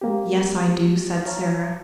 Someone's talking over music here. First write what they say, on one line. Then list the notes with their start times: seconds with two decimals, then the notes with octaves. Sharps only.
"Yes, I do," said Sara.
0.01 G#3 A#3 C4 G4
1.26 F4 C#5 F5 A5 A#5